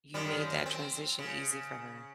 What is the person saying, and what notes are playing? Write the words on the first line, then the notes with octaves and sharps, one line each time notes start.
you made that transition easy for her,
F#2 D#3 G3
C4
C#3